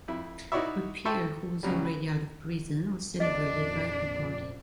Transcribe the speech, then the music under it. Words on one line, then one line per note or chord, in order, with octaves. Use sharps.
But Pierre, who was already out of prison, was celebrated by everybody.
F2 E4
D#4 E4 F#4 C#5 D5 E5
A4 E5 G5 A5 C6 C#6
C#2 C#3 F#3 G3
B4
A#1 F2 D4 D5 D#5